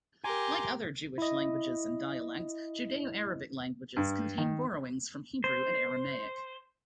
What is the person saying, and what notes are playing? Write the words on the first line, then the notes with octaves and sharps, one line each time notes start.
Like other Jewish languages and dialects, Judeo-Arabic languages contain borrowings from Hebrew and Aramaic.
G4 A#4 G#5 A#5 C6 D6
E4 D#5
G2
D#3
C5